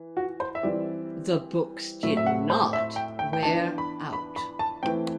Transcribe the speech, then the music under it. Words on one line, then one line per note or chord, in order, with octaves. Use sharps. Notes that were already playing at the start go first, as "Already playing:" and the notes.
The books did not wear out.
Already playing: E3
F#4
C5
E5
E3 G3 C4 D5
A2 F#3 A3 C4 E5
E5
F#5
C5
E5
G5
G5
G5
E3 B3 D4 A5
B5
B5
B5
A5
E3 A3 C4 G5